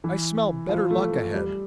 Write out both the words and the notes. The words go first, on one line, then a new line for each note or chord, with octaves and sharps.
"I smell better luck ahead."
E3
F3
A3
A3
G3